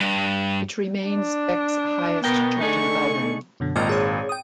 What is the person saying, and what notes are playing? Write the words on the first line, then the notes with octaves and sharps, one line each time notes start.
It remains Beck's highest-charting album.
G2
D4
B2 B3 A#4 G5
D3 A3 D#4 G#4 C#6
F#2 B2 D3
G#1 A#2 D#5 G5 F6
G#4 C#5
G5 D#6